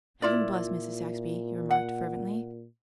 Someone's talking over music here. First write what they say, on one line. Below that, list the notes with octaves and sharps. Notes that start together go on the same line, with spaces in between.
"Heaven bless Mrs. Saxby," he remarked fervently.
A#2 E4 F4 D5
F#5